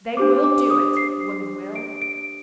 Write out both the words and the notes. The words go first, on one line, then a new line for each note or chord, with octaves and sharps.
They will do it--the women will.
D4 G4 C5 D6
D6
D#6
C7
D7
D7